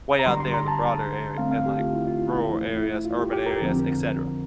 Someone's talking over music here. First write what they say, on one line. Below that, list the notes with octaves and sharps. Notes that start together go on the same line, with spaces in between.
way out there in the broader are and, like, rural areas, urban areas, etcetera.
A#5
G2 D3 G3 C6
C6
A#5
A5
E2 D3 A3 C4 F5
F5
G4
F4
E4
F4
E4
F2 E3 A3 E4
E4
F4
G4
G4
A#4
F2 D3 F3 C4